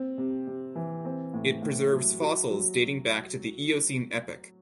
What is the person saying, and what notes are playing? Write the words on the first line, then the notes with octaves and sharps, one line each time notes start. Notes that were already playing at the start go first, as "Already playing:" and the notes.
It preserves fossils dating back to the Eocene epoch.
Already playing: C4
C3
C3
E3
C4
A2
A2
F#3
F#4
F#3